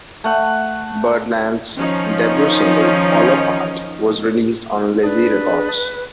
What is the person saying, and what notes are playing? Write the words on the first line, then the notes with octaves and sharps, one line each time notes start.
Birdland's debut single "Hollow Heart", was released on Lazy Records.
A3 F#5
D#3 F3 C#4 D#4
D4 G#4 B4 D5